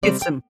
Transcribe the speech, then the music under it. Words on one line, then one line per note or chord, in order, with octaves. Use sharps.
It's m
C3 G3 C4 D5
G5